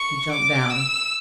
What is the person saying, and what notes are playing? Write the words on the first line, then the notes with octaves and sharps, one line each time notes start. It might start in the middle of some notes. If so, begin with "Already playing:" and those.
He jumped down.
Already playing: C#6
D6
E6